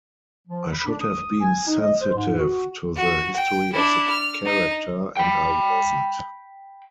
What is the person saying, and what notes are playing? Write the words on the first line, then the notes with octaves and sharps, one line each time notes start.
I should have been sensitive to the history of the character and I wasn't.
F3
B5
D4
D#6
G#5
D#4
D#5
C5
G#2
F#4
F#4
G5
D4 E4
F6
D#4
G5 B5